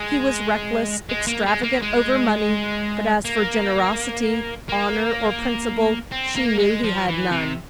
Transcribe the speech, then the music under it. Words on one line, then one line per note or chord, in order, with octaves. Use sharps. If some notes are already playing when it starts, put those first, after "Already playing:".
He was reckless, extravagant over money, but as for generosity, honor, or principle, she knew he had none.
Already playing: G#3
G#3
A#3
G#3
A#3
G#3
A#3
A#3
C4
A#3
G#3
F3
E3
C3